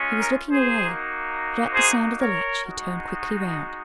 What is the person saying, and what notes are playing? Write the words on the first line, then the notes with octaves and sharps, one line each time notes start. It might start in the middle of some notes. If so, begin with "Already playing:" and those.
He was looking away; but at the sound of the latch he turned quickly round.
Already playing: G#3 C#4 F4
A#4
G#4 C5
A#3 D#4 F#4
G#4 C5
A#4 C#5
G#3 D#4 F#4